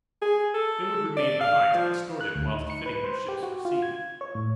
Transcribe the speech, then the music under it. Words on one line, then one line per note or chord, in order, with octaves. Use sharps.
They would remain behind to extort it whilst fitting their ships for sea.
G#4
A4
D5
F5
F3
F#6
D2
D#4
C#7
B4
C5
G4
F#4
F4
G#6
C#5
A2